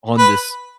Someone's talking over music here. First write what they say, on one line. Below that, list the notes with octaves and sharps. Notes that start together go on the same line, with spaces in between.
on this,
B4